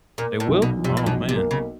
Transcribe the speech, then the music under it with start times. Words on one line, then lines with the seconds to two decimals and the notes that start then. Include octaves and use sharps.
They will? Oh man.
0.18 A#2 A#3
0.40 A2
0.48 B1
0.62 B2
0.77 F3
0.84 C3
0.97 A#2
1.06 B1 B2
1.29 C3
1.36 A#3
1.51 C#3